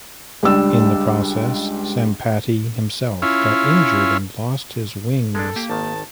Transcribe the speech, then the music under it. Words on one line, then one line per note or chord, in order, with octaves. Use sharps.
In the process, Sampati himself got injured and lost his wings.
C#2 G3 D4 E6
C#4 E4 F4
D1 G#3 D4 A4
A#3 G4
G#1 D#3 A5